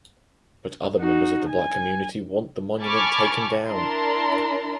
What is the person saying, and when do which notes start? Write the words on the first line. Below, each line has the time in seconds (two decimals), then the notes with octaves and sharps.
But other members of the Black community want the monument taken down.
0.99 D#4 F#4
1.50 G#5
2.82 G#5 A5 B5 C#6 D6 F6
3.69 D4 E4 A#4 A5 A#5 C6